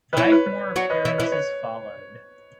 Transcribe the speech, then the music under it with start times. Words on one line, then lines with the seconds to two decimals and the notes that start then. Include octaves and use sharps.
Five more appearances followed.
0.13 B4
0.17 E3 E4 C#5
0.32 B4
0.47 B4
0.76 F#3 F#4 C#5
0.90 B4 D#5
1.05 E3 E4 C#5
1.18 E3 E4 B4
1.32 C#5